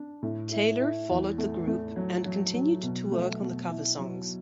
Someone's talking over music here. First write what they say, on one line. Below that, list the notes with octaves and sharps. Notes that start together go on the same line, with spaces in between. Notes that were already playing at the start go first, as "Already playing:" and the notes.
Taylor followed the group, and continued to work on the cover songs.
Already playing: D4
A2
E4
E4
E2
A3
A3
F#3
F#3
F#3
B2
A3
B2
E4
F#3